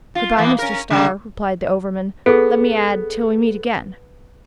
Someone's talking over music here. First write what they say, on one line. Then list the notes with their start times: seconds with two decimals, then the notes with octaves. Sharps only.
"Good-by, Mr. Starr," replied the overman, "let me add, till we meet again!"
0.15 F4
0.37 E3 A#3 B3
0.59 C#4 A#4
0.90 C#3 G#3 A#3
2.26 B3 G#4 A4